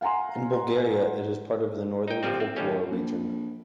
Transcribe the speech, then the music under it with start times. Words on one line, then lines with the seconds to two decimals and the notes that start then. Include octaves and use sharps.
In Bulgaria it is part of the "Northern folklore region".
0.01 F5 F#5 G#5 A#5 C6
2.08 D#4 G5
2.23 G1 C3 F3 G3 C4
2.40 C4
2.56 D#2 A2 G3 C#4
2.90 A#1